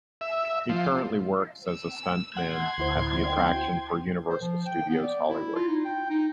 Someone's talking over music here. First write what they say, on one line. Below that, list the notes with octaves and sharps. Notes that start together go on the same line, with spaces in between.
He currently works as a stuntman at the attraction for Universal Studios Hollywood.
E5
F3
E6
F#5 C6 G#6
D2 E4 C5
G5
C5
F3
G5
B3
D5
E4
F4
D#4
G5
D#4